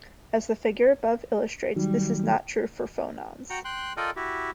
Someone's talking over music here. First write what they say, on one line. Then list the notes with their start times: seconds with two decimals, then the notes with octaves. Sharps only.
As the figure above illustrates, this is not true for phonons.
1.76 D#3 F#3 G3
3.50 F#4 F#5 G5 A#5
3.65 G5 C6 F#6
3.97 F4 A4 A#4 D5 D#5 G5
4.16 E4 F#4 G4